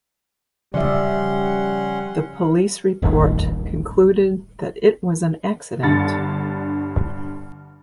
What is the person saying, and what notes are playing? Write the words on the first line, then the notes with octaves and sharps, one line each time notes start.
The police report concluded that it was an accident.
C#3 F3 G3 C#4 D5 E5 F#5 C6
D#1 A1 D#2
G1 G2 D3 A6 C#7